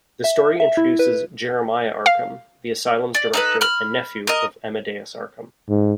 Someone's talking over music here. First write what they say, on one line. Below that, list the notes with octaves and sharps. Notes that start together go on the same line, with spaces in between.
The story introduces Jeremiah Arkham, the asylum's director, and nephew of Amadeus Arkham.
E5
E5
E4
B4
F5
D5
D#4 A4 B4
B5 F6
A#4 D#5
G#2